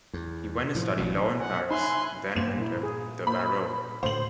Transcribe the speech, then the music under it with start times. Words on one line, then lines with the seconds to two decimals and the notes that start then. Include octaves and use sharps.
He went to study law in Paris, then entered the "Bareau".
0.13 E2
0.75 A2 F3
0.97 A1 B2 F#3
1.40 F#5 G#5 A#5
1.71 D#4 C#5 E5 G#5 B5 C6 F#6
2.36 G2 A#3 B3 C5 E7
2.58 A#2 A#3 E4
2.83 G#4
3.27 A#3 C5 B5
4.03 D2 A2 C5 F#7